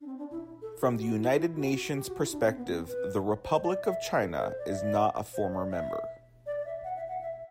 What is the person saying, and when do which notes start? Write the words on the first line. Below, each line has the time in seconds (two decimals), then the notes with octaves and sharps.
From the United Nations' perspective the "Republic of China" is not a former member.
0.01 D4
0.06 C4
0.18 D4
0.31 E4
0.62 A4
0.81 G4
0.99 F#4
1.19 E4
1.37 E4
1.56 F#4
1.76 F#4
1.94 G4
2.07 F#4
2.19 E4
2.31 D4
2.44 C4
2.56 B3
2.70 C4
2.88 B4
3.44 C5
3.63 D5
3.82 E5
4.20 A4
4.39 C5
4.58 D5
4.67 E5
4.76 D5
5.33 C5
5.52 D5
5.71 E5
6.46 D5
6.59 D5
6.65 E5
6.84 F#5
6.96 E5
7.08 F#5
7.21 E5